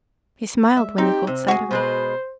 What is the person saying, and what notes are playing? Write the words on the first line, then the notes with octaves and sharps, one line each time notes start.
He smiled when he caught sight of her.
G#3 E5
C4 D#4 G4
C3 C4
F#4 G#4
B2 G#3 B4 C5